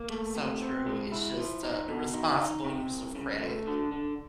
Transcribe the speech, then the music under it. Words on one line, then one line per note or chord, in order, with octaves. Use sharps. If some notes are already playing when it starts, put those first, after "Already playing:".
So true, it's just, uh, the responsible use of credit,
Already playing: A#3
A3
C3
C4
G#3
E4
F3
D#4
B2
D#4
D#4
C3
C2
C#3
A3
D3
D3